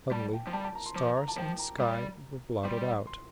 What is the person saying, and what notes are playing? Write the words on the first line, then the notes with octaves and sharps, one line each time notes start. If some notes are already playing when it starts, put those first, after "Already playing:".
Suddenly stars and sky were blotted out.
G3 A5
G5
F3
G3 A5
A5
A#5
C6
F3 D6
A#5
A5
F3 G5
A#5
G3
G3 C6
C6